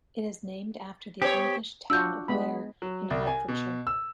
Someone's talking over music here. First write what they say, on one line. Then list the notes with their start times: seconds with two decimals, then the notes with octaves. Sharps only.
It is named after the English town of Ware in Hertfordshire.
1.22 B3 G4 C#5
1.90 D4 F4 F#4 E6 G6
2.28 G#3 B3 B5
2.82 F#3
3.10 C2
3.27 G#5
3.48 B2
3.87 E6